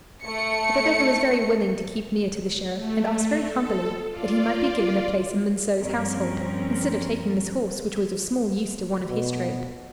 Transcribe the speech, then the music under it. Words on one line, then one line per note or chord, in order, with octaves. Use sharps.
But the beggar was very willing to keep near to the Sheriff, and asked very humbly that he might be given a place in Monceux's household, instead of taking this horse, which was of small use to one of his trade.
A3 C#7
A3
A4
F4 D5
G2 F3 G3 C4 C#4 A#4
B2